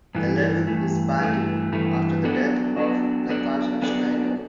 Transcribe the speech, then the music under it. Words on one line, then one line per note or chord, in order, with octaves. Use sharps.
Eleven disbanded after the death of Natasha Schneider.
G2 E3 A3
G2 E3 A3
G2 E3 A3
G2 E3 A3
F#3 B3 D4 A4 D5
F#3 B3 D4 A4 D5
F#3 B3 D4 A4 D5
F#3 B3 D4 A4 D5